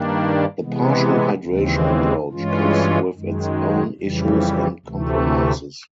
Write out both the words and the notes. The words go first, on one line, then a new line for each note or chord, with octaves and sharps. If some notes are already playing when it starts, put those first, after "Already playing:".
The partial hydration approach comes with its own issues and compromises.
Already playing: G2 D#3 G3 A#3 D4
C3 E3 G#3 B3
D#2 C#3 E3 G#3 C4
G2 E3 G#3 C#4 F4
F#2 D#3 G#3
F2 C#3 E3 G3
D2 C3 E3 A3